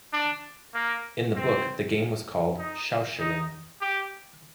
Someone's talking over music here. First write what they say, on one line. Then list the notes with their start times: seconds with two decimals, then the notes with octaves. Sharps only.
In the book, the game was called "shoushiling".
0.13 D4
0.74 A#3
1.35 C4
2.58 D#4
3.20 D#4
3.81 G4